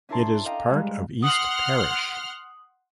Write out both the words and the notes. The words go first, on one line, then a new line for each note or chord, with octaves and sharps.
It is part of East Parish.
C#4 D4 E4 A#4 A5 C6
A4 D5 D#5 F5 G5 A#5
G3 G#3
F#5 C6 D#6 F6 F#7